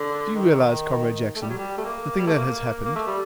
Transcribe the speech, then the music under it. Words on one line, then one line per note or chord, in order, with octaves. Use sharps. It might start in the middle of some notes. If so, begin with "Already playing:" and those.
Do you realize, Comrade Jackson, the thing that has happened?
Already playing: D3
D#3
A3
G3
F#3
G3
A3
A#3
G3
A3
A#3
A#3
A3
G3